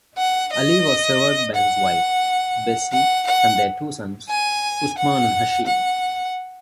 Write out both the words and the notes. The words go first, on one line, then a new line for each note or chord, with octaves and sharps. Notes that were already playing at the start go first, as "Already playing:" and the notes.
Ali was survived by his wife, Bessie, and their two sons, Usman and Hashim.
F#5
D#5
F#5
F#5
F#5
G#5
F#5
F#5